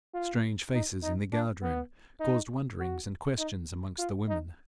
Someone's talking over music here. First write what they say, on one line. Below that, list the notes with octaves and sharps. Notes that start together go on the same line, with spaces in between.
Strange faces in the guard-room caused wonderings and questions amongst the women.
F4
D#4
D#4
D4
B3
D#4
F#4
D#4
F4
D#4